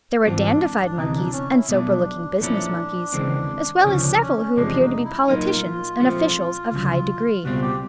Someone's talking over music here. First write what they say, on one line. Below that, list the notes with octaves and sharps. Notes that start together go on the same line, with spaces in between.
There were dandified monkeys and sober-looking business monkeys, as well as several who appeared to be politicians and officials of high degree.
G#2 E3 A3 C4 D4 F4
D4
D2 C3 E3 D#4
D4
C#4
E4
B2 F#3 A3 D4
A#2 F3 A3 C#4 D4 E4
D#2 C#3 E3 G#3 C4
D4
D2 C#3 F3 C#4
D4
C#4
C#4
E2 C3 F3 G#3 D4
D#4
E4
A#2 F#3 A#3 D#4 F4
A#2 F3 A3 C4
D2 C#3 F#3
C#2 B2 G3 C4 F4 F#4
G4